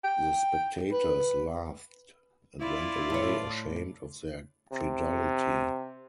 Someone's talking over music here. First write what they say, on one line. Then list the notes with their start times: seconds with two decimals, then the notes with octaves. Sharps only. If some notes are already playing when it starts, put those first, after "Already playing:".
The spectators laughed, and went away ashamed of their credulity.
0.04 G5
0.92 B4
2.60 E4 F4 D5
3.10 A2 C#5
4.72 C3